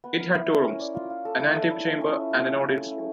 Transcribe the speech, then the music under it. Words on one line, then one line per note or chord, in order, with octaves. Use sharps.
It had two rooms: an antechamber and an audience room.
B3
A#4
E4
A#4
C#4
D5
F4
F4
A4
E4
A4
E4
F4
C#4
C#4
F4
C#4
E4
A3
E4